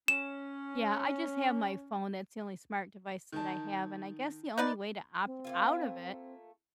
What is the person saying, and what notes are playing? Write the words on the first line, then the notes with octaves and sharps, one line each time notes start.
Yeah, I just have my phone, that's the only smart device that I have, and I guess the only way to opt out of it
C#4 E7
D#3 A5
D#4 B4 D5
C4
A3 A#3 F4